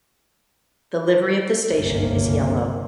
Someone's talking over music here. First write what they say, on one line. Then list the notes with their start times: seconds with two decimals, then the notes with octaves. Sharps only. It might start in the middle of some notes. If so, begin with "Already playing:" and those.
The livery of the station is yellow.
1.70 G1 C#2 F#2 C3 A#3 C#4